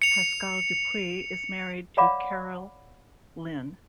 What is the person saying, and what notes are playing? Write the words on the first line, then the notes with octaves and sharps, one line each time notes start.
Pascal Dupuis is married to Carole-Lyne.
C#7 F7
C#5 D5 F5 F#5 B5 D6